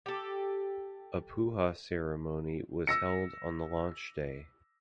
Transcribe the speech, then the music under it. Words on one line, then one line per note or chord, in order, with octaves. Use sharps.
A pooja ceremony was held on the launch day.
G4 A4
E6 A#6 C#7